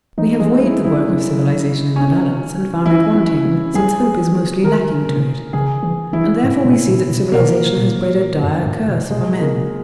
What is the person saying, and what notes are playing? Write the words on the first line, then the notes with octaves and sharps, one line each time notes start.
We have weighed the work of civilization in the balance and found it wanting, since hope is mostly lacking to it, and therefore we see that civilization has bred a dire curse for men.
E3 D#4
E3 G#3
F#3 E4
F#3 E4
F#3
C#4
E3 E4
E3
E3
F#3 G#4
E3
D#3 A#4
C#3
C#3 G#4
E3
E3 E4
G#2
A#2
A#2
B2
B2 A#3
A#2
F#2
G#2
B2
B2 G#3
C#3 A#3